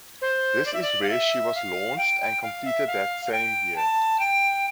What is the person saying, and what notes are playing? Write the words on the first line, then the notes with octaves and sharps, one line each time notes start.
This is where she was launched and completed that same year.
C5
D5
E5
D5
F5
E5
F5
G5
G5
F5
E5
F5
F5
G5
A5
G5